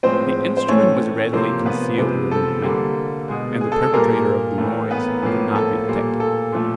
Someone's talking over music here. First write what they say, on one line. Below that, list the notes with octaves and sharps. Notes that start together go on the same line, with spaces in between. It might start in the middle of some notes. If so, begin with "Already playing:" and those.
The instrument was readily concealed within the mouth, and the perpetrator of the noise could not be detected.
A2 F3 G#3 C4 C5
C5
A2 E3 A3 C#4 C#5
C3 F3 A#3 C4 C5
B3 B4
C3 F3 G#3
A4
D3 G3 A#3
B2 G#3
G#4
A4
A4
A#2 G3 A#3 A#4
A2 E3 A3
B3 B4
A2 F3 A#3
A4
A#2 G3 A#3
A4
A#2 F3 A3